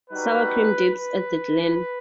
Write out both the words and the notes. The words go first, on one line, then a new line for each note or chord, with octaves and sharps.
Sour Cream Dips at The Glen.
G3 D#4 F#4 B4
B4